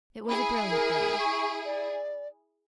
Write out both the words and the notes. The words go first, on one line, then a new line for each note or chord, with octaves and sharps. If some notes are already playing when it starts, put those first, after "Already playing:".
It was a brilliant day.
E4 G#4 B5
A#4
C#6
D5